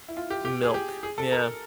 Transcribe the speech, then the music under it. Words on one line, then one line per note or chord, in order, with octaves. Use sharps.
Milk, yeah.
E4
F4
G4
G4
G#4
G4
G#4
A4
A#4